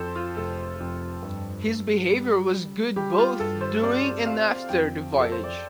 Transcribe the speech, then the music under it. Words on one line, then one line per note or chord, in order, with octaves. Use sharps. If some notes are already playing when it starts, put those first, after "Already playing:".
His behaviour was good both during and after the voyage.
Already playing: F2 F3 A4 C5
F4
F1 A4
F2
G2
G2
G3
G3
G3 G4
F4
G2 A4
C5
C4 D5
C4 F5
F2 G5
F2
A4
C5
D5